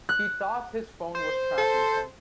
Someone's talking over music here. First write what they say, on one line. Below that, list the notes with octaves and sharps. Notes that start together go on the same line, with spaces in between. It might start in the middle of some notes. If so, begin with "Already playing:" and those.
He thought his phone was tracking him.
F#6
C5
A4